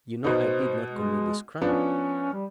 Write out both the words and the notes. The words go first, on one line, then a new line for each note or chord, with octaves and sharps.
"You know I did not commit this crime."
B2 B3 D#4 C5
G#3
F3 B3 C#4 D4
G3